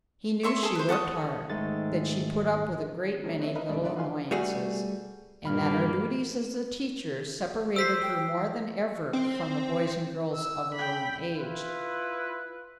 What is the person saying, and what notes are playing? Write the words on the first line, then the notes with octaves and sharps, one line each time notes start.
He knew she worked hard, that she put up with a great many little annoyances, and that her duties as a teacher separated her more than ever from the boys and girls of her own age.
C#5 E5 C6 C#6
G#4 A4
B4 C5
A4 F#5 C#6 D#6
G#2 D#3 G#3 A3 A6
F3 G3 A3 C#4 D#4
C4 C#4 B4 C#5 D#5 E5
A#4 B4 D#5 E5 B5
C2 G#2 D4 A4 D5
D4 D#4 B4 D5 E5
F#4 B4 E5 F5 G#5 C6
G3 A3 F#4 G#4
G2 A#2 A#3 B5 F6
C5 E6 B6 C7
G5
C4
E6
G5 B5
E4 F4 B4